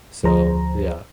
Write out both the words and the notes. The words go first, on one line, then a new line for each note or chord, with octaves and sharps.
so yeah.
D2 F3 G#4 C5 A#5